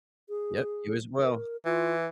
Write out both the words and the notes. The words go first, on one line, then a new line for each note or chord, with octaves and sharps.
Yep, you as well.
G#4
A#4
E3 F4